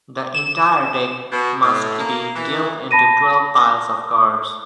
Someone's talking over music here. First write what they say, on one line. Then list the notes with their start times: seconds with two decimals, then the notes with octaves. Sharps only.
The entire deck must be dealt into twelve piles of cards.
0.34 E7
1.32 B2
1.63 A2
2.00 A#3
2.35 E3
2.91 A5 B5 A#6 D#7